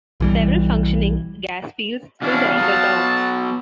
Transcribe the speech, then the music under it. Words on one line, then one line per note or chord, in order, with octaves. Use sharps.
Several functioning gas fields still surround the town.
B1 E3 G3
B2 E3 C#4 D4 F5
F#3 B3 A5